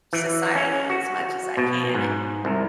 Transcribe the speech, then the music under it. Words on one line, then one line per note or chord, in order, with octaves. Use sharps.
society as much as I can, and
E3
C#4
F#4
B2
G#2
C2